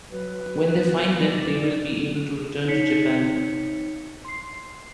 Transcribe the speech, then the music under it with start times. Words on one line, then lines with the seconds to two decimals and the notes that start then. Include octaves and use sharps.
When they find them, they will be able to return to Japan.
0.11 F#3 B4
0.56 B3
1.21 F1 D5
2.68 D#4 C#5 B6 C#7
4.25 C6 C7